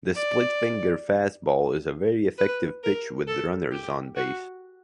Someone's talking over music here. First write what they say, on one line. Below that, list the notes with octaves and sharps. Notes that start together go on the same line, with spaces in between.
The split-finger fastball is a very effective pitch with runners on base.
D5
B4
A#4
A4
G4
F#4